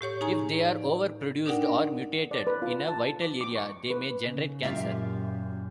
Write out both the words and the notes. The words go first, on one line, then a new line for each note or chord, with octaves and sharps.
If they are overproduced or mutated in a vital area, they may generate cancer.
A2 G4 C#5 C#6
D#4 G#4 G#5 A#5 C#6
D5
D4 D#4 A#4 D5 F#5 G5
D5
B4
F4
A5
D6
D6
C#6
B4
C#3
F#2 A#2 F4 G4 E5